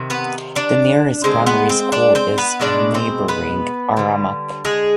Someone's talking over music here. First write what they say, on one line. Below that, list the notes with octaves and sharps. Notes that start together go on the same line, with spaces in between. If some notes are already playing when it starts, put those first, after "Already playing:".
The nearest primary school is in neighbouring Aramac.
Already playing: C3 D#3
B3 B4
D4 D5
D3 G#3 C4 C5
B3 B4
C4 C5
D4 D5
C4 C5
B3 B4
B2 G#3 D4 D5
C4 C5
B3 B4
D3 G3
G#3 G#4